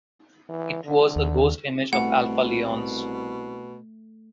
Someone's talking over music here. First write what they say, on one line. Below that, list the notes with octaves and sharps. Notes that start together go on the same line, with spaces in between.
It was a ghost image of Alpha Leonis.
E3
D3
D#2
C2 B2 A3 F#5